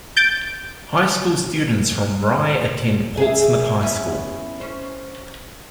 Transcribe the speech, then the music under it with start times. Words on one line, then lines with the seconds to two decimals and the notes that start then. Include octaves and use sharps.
High school students from Rye attend Portsmouth High School.
0.17 G6 A6 D7
3.17 G#4 E5
3.81 B3 C#4 E4
4.60 C#4 C5